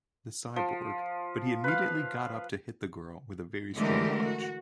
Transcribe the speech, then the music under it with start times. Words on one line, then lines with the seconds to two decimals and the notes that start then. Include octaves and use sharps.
The cyborg, but he immediately got up to hit the girl with a very strong punch.
0.56 F3
1.64 B4 F5
3.76 D3 E3 G#3 A3 G4 A#4
4.23 F#4